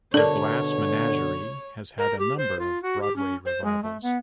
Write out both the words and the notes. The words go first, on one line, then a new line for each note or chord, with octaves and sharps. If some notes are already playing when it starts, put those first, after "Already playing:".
"The Glass Menagerie" has had a number of Broadway revivals.
B2 D3 D4 A4 A#4 C#5
A#4
G4
C5
F4
F#4
G4
C#4
C5
G#3
A3
B3